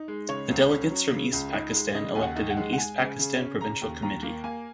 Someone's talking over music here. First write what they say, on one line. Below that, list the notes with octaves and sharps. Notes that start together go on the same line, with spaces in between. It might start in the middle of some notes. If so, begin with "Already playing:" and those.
The delegates from East Pakistan elected an East Pakistan Provincial Committee.
Already playing: D#4
G#3
C#3 C#5
C#2
C#4
F#3
C#3
C#2
D#4
G#3
C#3 D#5
D#2 G#5
F#5
D#4
F#5
G#3
F#5
G#3 G#5
C#3
C#3
C#4
C#3 A#5
D#2
D#2 A#5
A#3
A#3 G#5